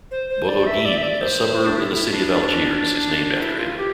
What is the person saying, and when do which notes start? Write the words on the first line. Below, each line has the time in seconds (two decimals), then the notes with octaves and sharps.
Bologhine, a suburb in the city of Algiers, is named after him.
0.11 C5
0.30 C5
0.48 D5
0.67 E5
0.85 D5
0.97 E5
1.03 D5
1.21 C5
1.66 D4
1.76 E4
1.94 E4
2.13 D4
3.40 E4
3.59 F4
3.77 G4